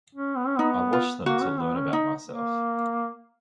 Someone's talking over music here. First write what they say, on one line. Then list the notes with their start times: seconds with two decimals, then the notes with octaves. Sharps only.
I watch them to learn about myself.
0.15 C#4
0.37 B3
0.47 C#4
0.57 B3 D#4
0.93 F4
1.26 A#3 F#4
1.43 C#4
1.60 B3
1.76 C#4
1.93 D#4
2.27 A#3